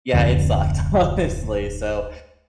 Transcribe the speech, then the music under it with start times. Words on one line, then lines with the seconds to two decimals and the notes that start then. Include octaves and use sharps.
yeah. It sucked, honestly. So
0.13 D1 F2 D3